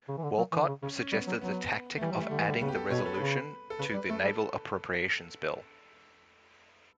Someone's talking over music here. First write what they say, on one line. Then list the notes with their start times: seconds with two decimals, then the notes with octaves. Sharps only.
Walcott suggested the tactic of adding the resolution to the Naval Appropriations Bill.
0.08 C#3
0.17 E3
0.23 D3
0.38 F#3
0.52 E3
0.62 D3
0.68 C#3
0.83 C#3 C#4
0.97 C#4
1.12 G3 B3
1.28 F#3
1.41 F#3 B3
1.97 A3
2.01 E3 G3
2.12 F#3
2.16 E3
2.21 A3
2.31 D3 G3
2.40 E3
2.46 D3 G3
2.61 C#3 B3
2.68 G4
2.75 A4
2.90 B2 C#5
2.98 B4
3.06 A4
3.14 B4
3.19 C#3
3.70 A4
3.79 C#3 B4
3.89 B4
3.94 G3
4.09 A3 A4
4.24 G3